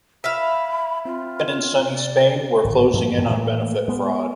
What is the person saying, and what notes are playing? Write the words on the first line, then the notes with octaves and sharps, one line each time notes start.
Even in sunny Spain, we're closing in on benefit fraud.
E5 F5 B5
C4 F4
C3
D5
D1 G#1
G2 A#2 F3 A3
F#2 E3
A2 E3 A#3
G#3 B3